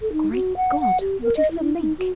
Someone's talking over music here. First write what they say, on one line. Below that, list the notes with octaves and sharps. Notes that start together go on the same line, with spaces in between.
Great God! what is the link?
A4
D#4
F#4
F#5
F#5
G4
A#4
D#5
E4
D#4
F#4